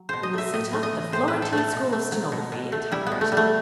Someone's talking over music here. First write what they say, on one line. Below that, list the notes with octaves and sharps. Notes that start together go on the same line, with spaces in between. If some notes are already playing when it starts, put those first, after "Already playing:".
We will set up the Florentine School of Stenography and Typewriting.
Already playing: F#3
B2 C5
D#5
A3 E5
A2 D#5
A3
D#5
E3
A2 C5
B4
A2
A4
A3
A4
B2
A3
F#3
B2
B2
A3
G3 E4
B3
B2
A3
G3
A3